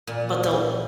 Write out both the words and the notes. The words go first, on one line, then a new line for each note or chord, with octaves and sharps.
but, they'll
A#2